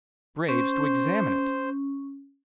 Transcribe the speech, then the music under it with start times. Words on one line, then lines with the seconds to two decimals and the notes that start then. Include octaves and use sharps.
Graves to examine it.
0.49 C#4 C5